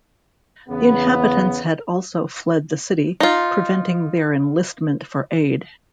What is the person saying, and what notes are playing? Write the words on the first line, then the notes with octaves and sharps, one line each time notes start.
The inhabitants had also fled the city, preventing their enlistment for aid.
E2 C#3 B3
D#4 F4